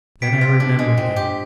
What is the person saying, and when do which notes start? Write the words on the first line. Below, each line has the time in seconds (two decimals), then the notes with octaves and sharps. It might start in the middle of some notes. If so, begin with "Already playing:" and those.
Then I remembered him.
0.22 G3 B6 D7
0.41 F4
0.60 D4
0.79 G#3
0.97 C4
1.16 G4